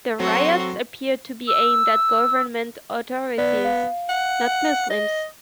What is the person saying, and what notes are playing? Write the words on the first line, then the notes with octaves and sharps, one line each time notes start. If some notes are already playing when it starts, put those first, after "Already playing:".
The riots appeared to be aimed at government authorities, not Muslims.
F#3 C4 F#4 A4 C6
E6
B3 D5
F5
F#5
D#5